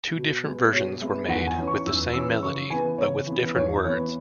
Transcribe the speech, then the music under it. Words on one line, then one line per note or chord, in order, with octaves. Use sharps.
Two different versions were made with the same melody but with different words.
B2
G#3 B3
B2 C#5
G#3 B3 E5
E2 F#5
G#5
E3 C#4
C#6
E2 E6
E3 C#4 E6
C#3 C#6
E3 B3 G#5
C#3 C#5
E3 B3
E2 C#5
E3 B3 C#5